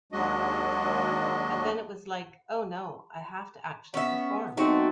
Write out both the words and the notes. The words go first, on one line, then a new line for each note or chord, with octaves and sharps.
But then it was like, 'Oh no, I have to actually perform.
D#2 F#3 G#3 D4 F#4 D#5
B3 C#4 E5
F#3 A3 B3 C4 D#4 F#4